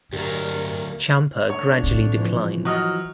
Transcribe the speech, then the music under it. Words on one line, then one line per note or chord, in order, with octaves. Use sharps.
Champa gradually declined.
D2 G2 F#3 G4 A#4
D3 A3 D4 C#5 D5
A2 C3
E3 F3
F#3 D#5 F6